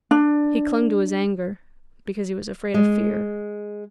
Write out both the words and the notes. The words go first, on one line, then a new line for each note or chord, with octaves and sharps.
He clung to his anger--because he was afraid of fear.
D4
G#3